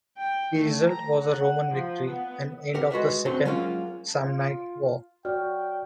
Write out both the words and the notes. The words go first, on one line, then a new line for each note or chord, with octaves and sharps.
The result was a Roman victory and end of the Second Samnite War.
G5
A3
A#5
F#5
F3
B3
G4 A#4 F#5
G#3 F#4 B4 E5
F#2 D3 F#3 A3 C4 C6
F#3 G#3 A#3 C#4 F4
F4
F#4 C#5 D5 G5 F6